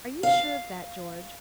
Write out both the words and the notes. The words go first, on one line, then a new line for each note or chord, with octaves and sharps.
"Are you sure of that, George?"
F5